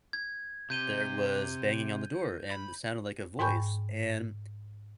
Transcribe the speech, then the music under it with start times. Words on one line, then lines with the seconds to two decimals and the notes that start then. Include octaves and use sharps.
there was banging on the door and it sounded like a voice, and
0.13 G#6
0.70 C3 G6 D#7 G7
2.51 B5
3.39 G#2 G5 G#5 B5 C#6 G6